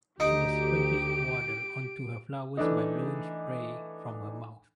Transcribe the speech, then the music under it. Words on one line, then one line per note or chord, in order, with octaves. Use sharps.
She was sprinkling water onto her flowers by blowing spray from her mouth.
D2 D#4 G4 D7
E3 A3 D4 D#4